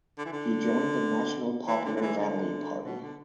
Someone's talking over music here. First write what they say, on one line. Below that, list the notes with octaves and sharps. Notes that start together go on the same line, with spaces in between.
He joined the National Popular Rally party.
D3
E3
D3
E3
D3
D3
E3
D3
B2
D3